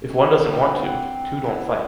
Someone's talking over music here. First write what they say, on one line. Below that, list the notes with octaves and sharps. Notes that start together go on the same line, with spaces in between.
If one doesn’t want to, two don’t fight.
C#4 E4
D3 E3 G3 G4
F#4 B4 D5 G5
C4
C4
B3 E4